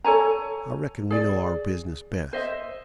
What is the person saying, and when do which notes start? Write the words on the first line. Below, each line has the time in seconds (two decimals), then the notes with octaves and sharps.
I reckon we know our business best.
0.04 A4 C#5 G#5 A#5
1.10 G#4 D5
2.33 C5 D#5 E5